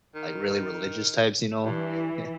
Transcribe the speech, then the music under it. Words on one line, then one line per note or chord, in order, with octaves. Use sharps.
like, really religious types, you know? Yeah.
D#3
G2 E3